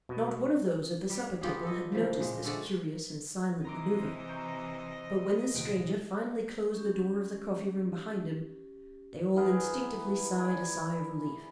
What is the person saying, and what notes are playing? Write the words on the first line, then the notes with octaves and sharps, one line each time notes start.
Not one of those at the supper table had noticed this curious and silent manoeuvre, but when the stranger finally closed the door of the coffee-room behind him, they all instinctively sighed a sigh of relief.
B2
G3
B3 F4 G4 G#4
A4 D#5
C#3 E3 F3
A#2 G#3
D3 G#3 A3 D5
C3 E3 C5 D#5 A#5 C6 D6
A#5 C#6 G6
D#1 C3 G5
C#4 G4
E3 B3 G#4 A#4
D5 G#5